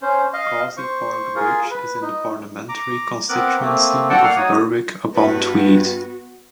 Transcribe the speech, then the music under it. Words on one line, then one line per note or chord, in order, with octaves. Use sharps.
Causey Park Bridge is in the parliamentary constituency of Berwick-upon-Tweed.
C#4 C5
D#5 F5
C5 C#6
F4 G#4 A#4
B4
D#4
A#5 D6
B3 C4 A#4 D6 F#6
A3 A#3 C4
F#4 A4 D5 F#5 G5 A5
A#3 D5 F5 F#5 F6
D#4 F#4 C#5 D#6
G2 B3 F#4 B4